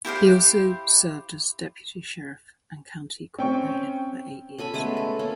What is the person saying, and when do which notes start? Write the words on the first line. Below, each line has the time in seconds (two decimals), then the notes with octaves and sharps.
He also served as deputy sheriff and county court bailiff for eight years.
0.05 E4 G4 C5 F5
3.38 C4 C#4 G5 C#6
4.58 C#4 A4 G#5 B5
4.74 G#3 A3 B3
4.97 A4
5.19 A#3 C#4 A4